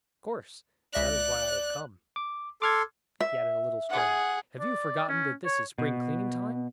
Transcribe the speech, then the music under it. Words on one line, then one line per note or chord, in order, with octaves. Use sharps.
"Of course; that is why I have come." He added a little sternly, "Have you forgotten that this is spring cleaning time?"
C#2 D5 E5 F#6 A#6
D6
A4 C6 D6 F6 G#6
E5
G#4 F#5
D5
C#4
C#5
B2